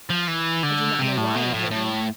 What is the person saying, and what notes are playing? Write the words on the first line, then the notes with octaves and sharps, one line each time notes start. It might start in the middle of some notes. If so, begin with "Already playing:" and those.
I do not know why it hurt me.
F3
E3
D3
C3
A2
B2
A2
A2